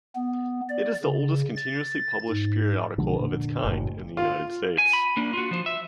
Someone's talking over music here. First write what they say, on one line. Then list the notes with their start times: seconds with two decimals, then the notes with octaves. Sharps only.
It is the oldest continuously published periodical of its kind in the United States.
0.16 B3
0.69 D5
1.03 C#3
1.56 A6
2.29 G#2
2.98 B1 D3 F3 G#3
3.20 F1 A#2
3.64 F#1 A2
4.17 F4
4.78 G#5
4.93 B5
5.17 A#3 D4
5.33 F4 F#4
5.51 F3 C5
5.66 E5